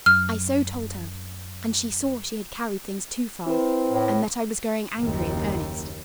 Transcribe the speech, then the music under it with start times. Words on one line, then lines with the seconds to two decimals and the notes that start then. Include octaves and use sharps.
I so told her, and she saw she had carried things too far, and that I was growing angry in earnest.
0.06 F#2 F6
3.47 C4 E4 B4
3.91 A2
4.99 F#1 D#2